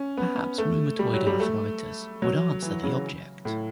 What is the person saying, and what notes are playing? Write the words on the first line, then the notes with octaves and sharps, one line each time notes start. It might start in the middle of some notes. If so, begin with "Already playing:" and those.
Perhaps rheumatoid arthritis would answer the object.
Already playing: C#4
B3
A3
G3
F#3
G3
A3
F#3
E3
C#3
A2